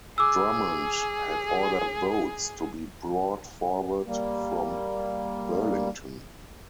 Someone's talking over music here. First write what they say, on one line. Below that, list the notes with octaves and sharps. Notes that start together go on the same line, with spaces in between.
Drummond had ordered boats to be brought forward from Burlington.
G#4 D6 E6
G3 A#3